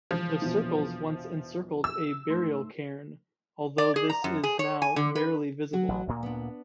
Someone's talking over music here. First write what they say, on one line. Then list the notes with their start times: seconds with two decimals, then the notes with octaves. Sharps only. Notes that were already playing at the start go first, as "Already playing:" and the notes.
The circles once encircled a burial cairn although this is now barely visible.
0.11 E1 F3
0.42 A#1 E2 B2
1.84 E6
2.28 G#2 A3 C6
3.78 D5
3.96 G#4
4.10 A#5
4.24 F#2
4.44 G#4
4.59 C#5
4.82 G#5
4.96 D3
5.15 B4
5.73 F#3 F#4
5.88 A1
6.08 D2 A#2 A#3
6.23 B3 D4